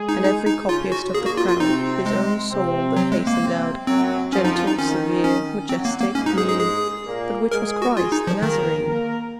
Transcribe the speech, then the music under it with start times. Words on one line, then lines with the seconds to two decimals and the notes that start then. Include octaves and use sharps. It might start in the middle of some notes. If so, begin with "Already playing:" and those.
And every copyist of the crowd With his own soul that face endowed, Gentle, severe, majestic, mean; But which was Christ, the Nazarene?
Already playing: G#3 G#4
0.09 D#4
0.24 D#4
0.46 D#4
0.69 C#3 C#4 F4
0.92 F#4
1.14 A#2 A#3 G#4
1.26 F#4
1.38 F4
1.49 F4
1.60 C3 C4 D#4
2.06 G#3
2.50 C3 C4
2.96 F#3
3.12 G#3
3.27 A#3
3.42 C3 C4
3.87 F#2 F#3 C4
4.33 F2 F3 C#4
4.45 D#4
4.56 F4
4.67 D#4
4.78 D#3 C#4
5.24 C#4
5.69 F#2 F#3 C4
5.85 A#3
6.00 A#3
6.15 G#2 G#3 C#4
6.26 D#4
6.38 G#4
6.49 G#4
6.60 G#4
7.06 A#2 A#3
7.51 G#3 G#4 A#4
7.82 F#4
7.97 G#3 F4 G#4
8.12 D#4
8.27 F3
8.42 D#3 A#3 A#4
8.88 A#3 A#4